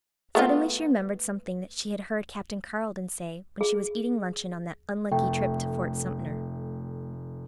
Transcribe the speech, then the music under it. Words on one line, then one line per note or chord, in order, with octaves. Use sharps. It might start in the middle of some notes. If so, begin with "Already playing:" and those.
Suddenly she remembered something that she had heard Captain Carleton say when she was eating luncheon on that unlucky trip to Fort Sumter.
A3 B3 F4
G#4
F1 A3 G5